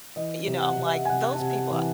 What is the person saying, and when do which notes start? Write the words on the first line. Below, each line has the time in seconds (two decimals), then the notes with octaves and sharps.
you know, I'm like "Those people
0.16 E3 D#5
0.47 C3
0.62 F#5
0.78 C3
0.86 E5
1.05 G#5
1.09 C3 F#5
1.32 A5
1.40 C3
1.56 A5
1.71 E3